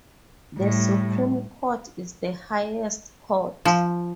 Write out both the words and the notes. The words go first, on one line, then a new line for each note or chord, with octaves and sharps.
The Supreme Court is the highest court.
A2 G3
F3